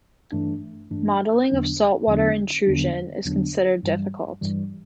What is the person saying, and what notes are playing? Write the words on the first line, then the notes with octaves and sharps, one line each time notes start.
Modeling of saltwater intrusion is considered difficult.
G2 E3 A3 D4
G2 E3 A3 D4
E2 D3 F#3 B3 D4
E2 D3 F#3 B3 D4
E2 D3 F#3 B3 D4
E2 D3 F#3 B3 D4
G2 E3 G3
G2 E3 G3